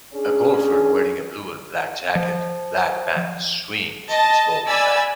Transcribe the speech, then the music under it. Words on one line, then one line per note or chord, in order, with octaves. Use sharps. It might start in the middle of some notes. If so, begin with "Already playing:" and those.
A golfer wearing a blue and black jacket and black pants swings his golf club.
C#4 D4 G#4
F3
D#5 A5
D5 G#5 B5 E6